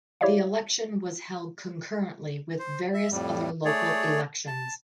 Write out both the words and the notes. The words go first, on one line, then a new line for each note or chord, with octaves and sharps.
The election was held concurrently with various other local elections.
E4 G4 C#5 D5 E5 F5
C5
E5
F2 A2 G3
A3 G#4 C#5 D5
A5